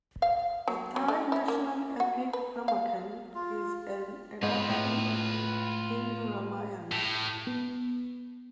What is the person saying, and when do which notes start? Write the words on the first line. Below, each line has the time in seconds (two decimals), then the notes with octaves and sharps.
The Thai national epic Ramakien is an adaption of the Hindu Ramayana.
0.22 F5
0.68 F#3
0.96 F#3
1.08 A3
1.32 E4
1.48 A#3
2.00 F#4
2.33 B4
2.68 F5
3.35 F4
4.43 G#2 F4 B4
4.70 A2
6.92 A2
7.47 B3